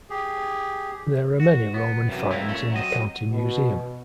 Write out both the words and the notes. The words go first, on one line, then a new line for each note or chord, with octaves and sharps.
There are many Roman finds in the County Museum.
G4 G#4
F#4
B3
F#2 C3 E3
G#2 C#3 A#3 C4 E4 F4
A#2 A3 C#4
F#3 C4 D#5
B2